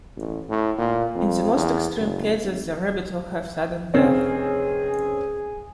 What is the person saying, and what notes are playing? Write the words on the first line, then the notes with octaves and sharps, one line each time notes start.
In the most extreme cases the rabbit will have sudden death.
A1
A2
A#2
F2
E2
F#1
G#1
F1 C4 C#4 G#4